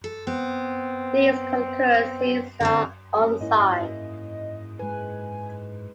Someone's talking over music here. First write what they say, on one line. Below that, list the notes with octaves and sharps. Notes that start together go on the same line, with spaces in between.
These concurrencies are unsigned.
A4
B3 C4
D3 B3 C4
A3 A#3 C#4
G#2 G#3 E4 D#5
G#3 B4 G#5